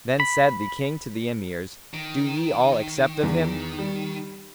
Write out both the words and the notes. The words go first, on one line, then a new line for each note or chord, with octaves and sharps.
Then said the King to the Emirs, "Do ye all accept of him?"
B5
D#3
E2 E3
G3